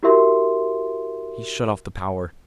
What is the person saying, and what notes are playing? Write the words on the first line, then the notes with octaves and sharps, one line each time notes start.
He shut off the power.
E4 F#4 G4 A#4 E5 C6